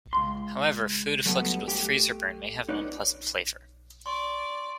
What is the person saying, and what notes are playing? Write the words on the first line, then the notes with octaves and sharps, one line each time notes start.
However, food afflicted with freezer burn may have an unpleasant flavour.
C#2 C6
F#3 G3 A3 B3
A3 G4
D#4 B4 C#5 D5
D5 C6 C#6